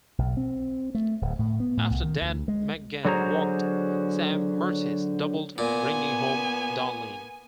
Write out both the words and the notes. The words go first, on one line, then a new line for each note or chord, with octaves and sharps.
After Dan McGann walked, Sam Mertes doubled, bringing home Donlin.
B1
C4
A3
D1
A2
B3
A2
C2
D#3
D2
G#3
D3 F#3 F#4 G#4 C5 A#5
A#2 B3 G#5